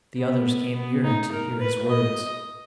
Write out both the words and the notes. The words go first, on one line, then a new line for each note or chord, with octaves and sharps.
The others came nearer to hear his words.
B3
B3
D#4
A#4
B4
D#5